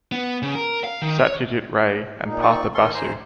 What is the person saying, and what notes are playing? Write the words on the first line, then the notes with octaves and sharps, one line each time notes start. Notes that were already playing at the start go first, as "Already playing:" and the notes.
Satyajit Ray and Partha Basu.
B3
C#3
A#4
F5
D#3
C#5
A#2 D#4
C4 D5 C#6
D#3 C#4 A4 C6
D2 C5 G#5 A#5